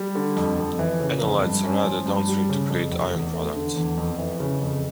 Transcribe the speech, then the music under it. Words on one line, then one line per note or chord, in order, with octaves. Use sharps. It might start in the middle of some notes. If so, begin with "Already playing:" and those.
Analytes are added downstream to create ion products.
Already playing: G3
D3
F2
F2
E3
C#3
F2
G2
C#4
F3
G2
G3
C#3
F2
F1
E2
A3
D3
E2
F2
E3
C#3
F2